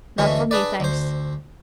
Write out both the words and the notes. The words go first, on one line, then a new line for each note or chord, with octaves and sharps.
Not for me thanks.
D2 E3 G#3 A3 C#4
D4 G#4 B4 D5
D2 C5